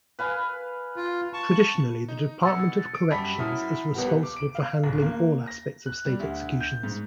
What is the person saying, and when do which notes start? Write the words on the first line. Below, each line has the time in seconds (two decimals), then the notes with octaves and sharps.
Traditionally the Department of Corrections is responsible for handling all aspects of State executions.
0.19 B4 F5 G#5
0.97 F4
1.33 A5 C#6
2.08 D#4
2.43 B2 F#5 E6 A6 C#7
2.94 D7
3.11 F#2 G3 A5 B5 B6
3.39 F#2 E4 F#4 E5 D#6 F6
3.95 B1 B3 G4 A#4 F#5
4.23 D6
4.37 D7
4.55 F5
4.84 D1
5.02 A#3
5.47 A#6
5.86 F#6
6.05 G3
6.20 D2
6.60 G6
6.83 G#2